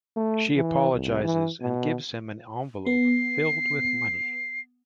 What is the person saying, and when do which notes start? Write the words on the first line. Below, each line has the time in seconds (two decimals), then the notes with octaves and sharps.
She apologizes and gives him an envelope filled with money.
0.16 A3
0.56 E3
0.94 C2
1.24 E3
1.61 B2
2.87 B3 C7